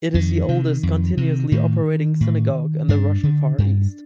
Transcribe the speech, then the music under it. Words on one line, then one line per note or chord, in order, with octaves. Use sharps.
It is the oldest continuously operating synagogue in the Russian Far East.
F2 D#3
C3
F2
C3
A2 D#3
A2
G2 D4
D3
G2